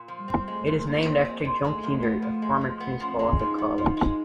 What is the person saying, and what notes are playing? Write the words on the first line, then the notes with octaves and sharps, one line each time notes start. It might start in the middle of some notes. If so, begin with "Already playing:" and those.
It is named after John Kinder, a former principal of the college.
Already playing: A#2
F3
G3
C4
G#3 A3
A#2
A#3
F3
C4
G#3
A#2
G#3 A3
F3
B3
F3
G#3
F3
A3 B3
F3 C#4
C4
G#3 C#4
F3 D#4
B3
F3
G#3